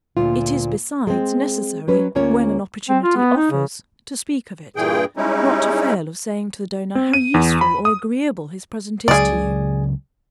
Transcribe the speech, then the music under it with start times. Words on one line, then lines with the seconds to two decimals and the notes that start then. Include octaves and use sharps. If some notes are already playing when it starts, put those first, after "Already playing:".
It is besides, necessary, when an opportunity offers, to speak of it, not to fail of saying to the donor, how useful or agreeable his present is to you.
0.17 D2 A#2 F4
1.07 G#3 C4
1.88 F#3 C#4 B4
2.15 D2 A#3 C#4 F4 C#5
2.89 C4
3.03 F4
3.16 B3
3.37 D#4
3.51 C#3
4.76 G2 A#2 E3 G#4 G5
5.17 G3 G#3 C#4 D#4 E4
6.95 C4
7.13 D#7
7.34 E2
7.61 B5
7.85 D#6
9.08 C#2 C#3 F#3 G#4 D5